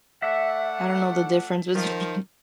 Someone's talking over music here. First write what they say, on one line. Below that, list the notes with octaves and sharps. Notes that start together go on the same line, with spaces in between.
I don't know the difference between
A3 D5 E5 F#5
D#3 F3